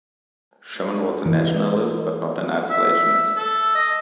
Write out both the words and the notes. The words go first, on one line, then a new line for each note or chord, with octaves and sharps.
Sherman was a nationalist, but not an isolationist.
E3
E5
A4
D#5